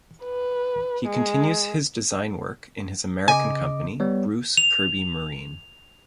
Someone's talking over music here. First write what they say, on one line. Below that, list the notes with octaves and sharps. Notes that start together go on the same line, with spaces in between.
He continues his design work in his American company, Bruce Kirby Marine.
B4
G#3
C#3 D#5 G#5 D6
G3 B3 C#5
F7